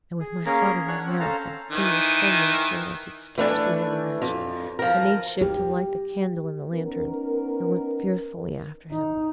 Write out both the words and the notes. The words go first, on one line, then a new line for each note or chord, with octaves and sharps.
And with my heart in my mouth and fingers trembling so that I could scarcely hold the match, I made shift to light the candle in the lantern, and went fearfully after him.
G#4
A#3 C#4 G#4 A#4
C#4 D4 C#5 F#5 C#6
C4 C#4 F#5
C#4 A4 C5 F5 A#5
D#3 E3
E3 A3 D4 G#5
F2
F3 A#4
G4
B3 C#4 D#4 A#4
D#4